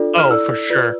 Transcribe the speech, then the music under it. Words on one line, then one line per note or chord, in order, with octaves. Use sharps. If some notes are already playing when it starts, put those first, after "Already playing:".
Oh, for sure.
Already playing: D4 F4 A4 D5
F6
E4 A4 D5 E6
F4 B4 D5